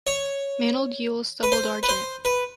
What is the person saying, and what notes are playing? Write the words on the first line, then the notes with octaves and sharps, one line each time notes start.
Mantled gules doubled argent.
C#5
B4
C5
B4
C5
B4